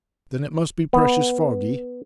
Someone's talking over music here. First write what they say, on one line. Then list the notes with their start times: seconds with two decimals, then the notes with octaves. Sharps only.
Then it must be precious foggy?'
0.93 B3